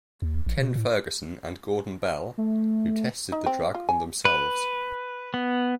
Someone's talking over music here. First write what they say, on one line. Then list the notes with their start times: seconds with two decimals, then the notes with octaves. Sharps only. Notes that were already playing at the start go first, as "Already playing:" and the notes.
Ken Ferguson and Gordon Bell, who tested the drug on themselves.
0.22 D#2
0.46 A1
0.58 B2
0.76 A2
2.38 A3
3.32 D#4
3.46 C4
3.75 F4
3.89 G#5
4.25 B4
5.34 B3